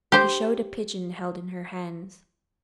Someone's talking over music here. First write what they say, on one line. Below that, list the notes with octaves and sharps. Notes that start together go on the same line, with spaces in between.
She showed a pigeon held in her hands.
G4 C5